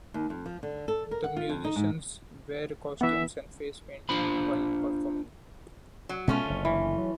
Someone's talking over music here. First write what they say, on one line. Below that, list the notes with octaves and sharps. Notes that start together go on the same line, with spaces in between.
The musicians wear costumes and face paint while performing.
D#2
F2
F3
D3
A4
A#4
F#5
F4
F2
D#4
G#2
E3 B3 E5
D4 F4 C5 B5
F#3
B2 G#3 A3 B3 C#4 F4
F#1 D3
E3
F#3